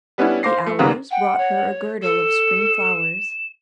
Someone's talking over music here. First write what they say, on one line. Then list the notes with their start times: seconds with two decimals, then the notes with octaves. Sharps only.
The Hours brought her a girdle of spring flowers.
0.18 G3 B3 C#4 D4 E4
0.43 C5 F5 D6 A#6 C7
0.66 A3
0.79 D#2 G#2 C#3 G3 A#3 B3
1.11 F#5 G5
1.38 C#5
2.03 A4 E7